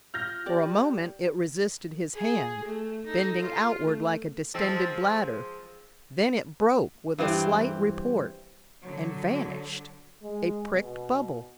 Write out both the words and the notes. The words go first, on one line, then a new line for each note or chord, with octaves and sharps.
For a moment it resisted his hand, bending outward like a distended bladder, then it broke with a slight report and vanished--a pricked bubble.
F4 F6 G6 A#6
G4 D5
G#4
A3
D#4 A4
F4
A3
F3 G#3 C4
G2 E3 C4 G4
D3 F#3
G#3
B2